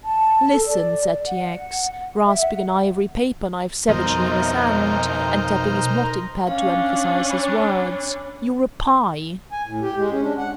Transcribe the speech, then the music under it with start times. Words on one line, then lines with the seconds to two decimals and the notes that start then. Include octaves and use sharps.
"Listen," said T. X., grasping an ivory paperknife savagely in his hand and tapping his blotting-pad to emphasize his words, "you're a pie!"
0.04 A5
0.53 A4
0.66 D5
1.27 F#5
2.27 E5
2.41 F#5
3.89 B1 F2 B2 G3 D#4 A#4 C5 D#5
6.47 C#4 D4 F5
7.30 C#5 B5
9.52 G#5
9.66 A2
9.82 G4
9.97 G#3
10.11 C#4
10.23 D4
10.38 F#5